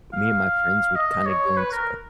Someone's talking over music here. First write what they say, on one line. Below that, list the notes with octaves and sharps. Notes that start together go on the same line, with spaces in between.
me and my friends would kind of go into
F5
D#5
C#5
B4
A#4